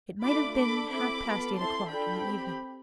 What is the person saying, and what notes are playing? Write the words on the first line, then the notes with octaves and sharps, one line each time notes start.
It might have been half-past eight o'clock in the evening.
A3 D4 F4 B5 D6
D4 A4 B5 D6
C4 E4 A4 B5 D6
B3 F4 A4
C4 E4 A4 A5 C6
D4 F4 A4 G5 B5
C4 G4